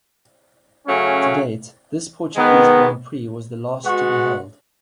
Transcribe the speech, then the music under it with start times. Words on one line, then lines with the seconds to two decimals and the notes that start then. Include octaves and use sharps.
To date, this Portuguese Grand Prix was the last to be held.
0.88 C#3 F#3 A3 C#4
2.36 D#3 G#3 B3
3.83 G#3 B3 F#4